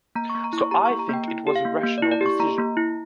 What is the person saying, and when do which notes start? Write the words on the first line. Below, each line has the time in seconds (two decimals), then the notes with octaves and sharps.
So I think it was a rational decision.
0.15 A#3 A#5
0.30 C#6
0.35 A#3
0.44 A#5
0.53 E4
0.58 C#6
0.71 G4 A#5
0.85 C#6
0.91 A#3
0.99 A#5
1.09 A#3 G5
1.28 E4
1.47 G4
1.56 F5
1.65 A#3
1.83 A#3
1.98 E4 D5
2.11 D5
2.21 G4 C#6
2.40 A#3 A#5
2.58 A#3
2.77 E4